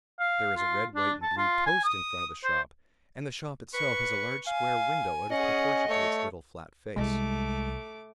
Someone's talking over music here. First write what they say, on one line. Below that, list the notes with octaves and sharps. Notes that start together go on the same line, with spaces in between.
There is a red, white and blue post in front of the shop and the shop itself has a large square window out of proportion to its little flat face.
F5
F4
D4
A5
F4
G#5
D#6
C5
B4 C#6
F5 G#5
C#4 G#4 D#5 F#5
A3 C#5
C2 G#3 A3 D6